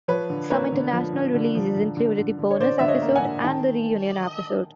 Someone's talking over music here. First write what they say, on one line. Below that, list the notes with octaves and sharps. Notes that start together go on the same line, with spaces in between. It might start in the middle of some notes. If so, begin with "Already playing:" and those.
Some international releases included the bonus episode and the reunion episode.
F3 B4 C#5
D3
A#3 B4 C#5
D3
F3
D3
D3
F3
D3
D3
D3
D3
C#5
D3 C5 D5
D3 E5
C#5 D#5
A#3
F#5 G#5
D3
D#3 G5 A5